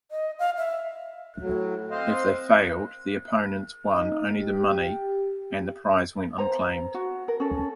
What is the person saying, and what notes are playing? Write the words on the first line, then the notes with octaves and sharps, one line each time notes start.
If they failed, the opponents won only the money and the prize went unclaimed.
D#5
F5
E5
A2 F#3
C4 C5 D#5 F5
D#4
G4
C5 A#5
F#4
A#4
C#4 A4